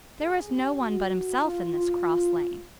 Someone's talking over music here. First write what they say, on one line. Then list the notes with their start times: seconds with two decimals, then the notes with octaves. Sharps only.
There was no one but himself in this cross-lane.
0.22 G#4
0.51 G4
0.80 F#4
1.38 F4
1.67 F4